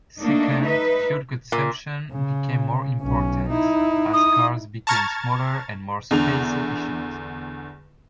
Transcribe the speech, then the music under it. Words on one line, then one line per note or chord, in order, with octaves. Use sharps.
Second, fuel consumption became more important, as cars became smaller and more space-efficient.
A3 A#3 D4 D#4
D#4 B4 E5
A#2
C#3
B1 C#4
D#4 E4
D#6
A5 A#5 C#6 F6 G#6 A6
E2 D3 F7